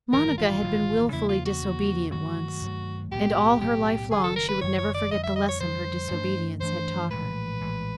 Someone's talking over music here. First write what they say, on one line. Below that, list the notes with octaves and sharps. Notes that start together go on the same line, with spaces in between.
Monica had been wilfully disobedient once, and all her life long she would never forget the lesson her disobedience had taught her.
A1 G2 D#3 A#4
F4
A1 G2 D#3
E2 C#3 F3 A#3 E4
F4
F#4
E2 C#3 F3 A#3
G2 D#3 F#3 A3 F#4
G2 D#3 F#3 A3
B1 A2 F#3 B3 G4
B1 A2 F#3 B3 G4
F#1 F#2 D#3 G#4
A4
A#4
B4
F#1 F#2 D#3 C#5
C#5
D5
F2 D3 G3 D#5
E5
D#5
C#5
F2 D3 G3 C5
G2 E3 A3 D4
G2 E3 A3 D4 C5
A#1 A2 E3 G#3 B4
A#1 A2 E3 G#3